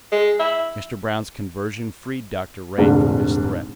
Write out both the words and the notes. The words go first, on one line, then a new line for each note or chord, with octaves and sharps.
Mr. Brown's conversion freed Dr. Ray from his threat.
G#3
E4
F1 A#1 G#2 D3